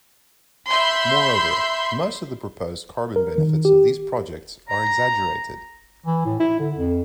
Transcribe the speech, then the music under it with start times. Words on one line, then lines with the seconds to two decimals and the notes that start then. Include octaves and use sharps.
Moreover, most of the proposed carbon benefits of these projects are exaggerated.
0.68 E5 B5 C6 G6
3.16 A#4
3.38 D#3
3.65 G4
4.69 A#5
6.06 E3
6.25 A2
6.40 E4
6.59 D3
6.76 F2